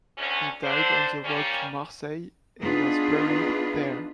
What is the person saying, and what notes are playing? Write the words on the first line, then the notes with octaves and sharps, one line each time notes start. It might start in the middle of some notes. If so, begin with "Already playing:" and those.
He died on the road to Marseille, and was buried there.
D2 C#4
D3 D4 C5
G3 A#3 C#4
B3 D4 D#4 F4 G#4 B4